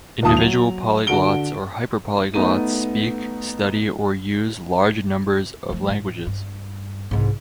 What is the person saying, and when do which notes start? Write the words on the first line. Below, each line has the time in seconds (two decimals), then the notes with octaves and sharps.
Individual polyglots or hyperpolyglots speak, study, or use large numbers of languages.
0.22 D#1 D#2 F4 A5 D#6
0.37 F#3 F7
1.07 D3 F#4 D7 G7
2.34 A3 B3 D#4 D#7
5.70 F3 A3
5.89 A2
6.27 G2
7.11 C2 G#2